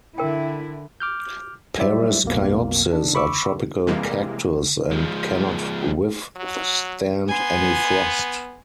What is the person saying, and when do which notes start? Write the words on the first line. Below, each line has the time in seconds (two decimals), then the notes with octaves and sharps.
"Pereskiopsis" are tropical cactus and can not withstand any frost.
0.18 D3 E4 A#4 G5
1.00 D6 F6 G6
1.78 F#3 G3 E4 C5 D5 E5
2.24 B1 F2 B2 F3 A#3
2.93 D4
3.15 B5 C#6 D6 E6
3.87 C3 E3 G3 G#3 A#3
4.91 F3 G#3
6.36 F#3
7.28 B3 G#5 C6